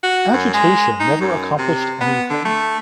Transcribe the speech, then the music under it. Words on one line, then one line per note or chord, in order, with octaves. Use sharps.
Agitation never accomplished anything.
F#4
F#2
G#3
D#4
F#2
C3
B3
D3
A3